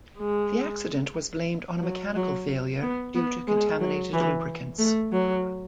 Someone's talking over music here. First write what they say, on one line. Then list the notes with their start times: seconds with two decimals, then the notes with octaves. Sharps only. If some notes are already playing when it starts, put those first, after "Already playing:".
The accident was blamed on a mechanical failure due to contaminated lubricants.
0.18 G#3
1.82 F#3
2.16 F#3
2.82 B3
3.15 B3
3.47 G#3
3.80 F#3
4.13 E3
4.78 A3
5.12 F#3